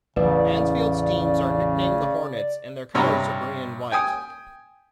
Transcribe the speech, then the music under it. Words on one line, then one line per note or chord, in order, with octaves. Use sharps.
Mansfield's teams are nicknamed the Hornets, and their colors are green and white.
A1 E2 C#3 B4 D5
G2 C3 C#5 A#5 B5
G5 G#5 D#6